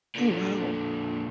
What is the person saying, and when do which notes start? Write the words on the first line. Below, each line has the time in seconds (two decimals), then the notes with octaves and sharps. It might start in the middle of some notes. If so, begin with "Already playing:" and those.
Oh, wow.
0.16 A#2 D3